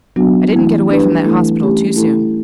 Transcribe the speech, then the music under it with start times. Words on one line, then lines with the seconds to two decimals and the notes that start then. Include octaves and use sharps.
I didn't get away from that hospital too soon.
0.16 F#3 B3 D4 F#4
0.53 E3 A3 E4
0.88 G3 D4 G4 B4
1.24 E3 A3 E4 A4
1.60 A3 C#4 G4
1.96 A3 E4 A4